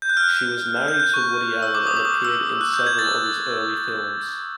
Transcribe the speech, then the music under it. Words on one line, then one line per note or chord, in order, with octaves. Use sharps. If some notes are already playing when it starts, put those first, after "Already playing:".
She was married to Woody Allen and appeared in several of his early films.
G6
F#6
F6
F#6
F#6
G6
F#6
C#6
E6
D6
D#6
D6
D#6
E6
F#6
G6
G#6
A6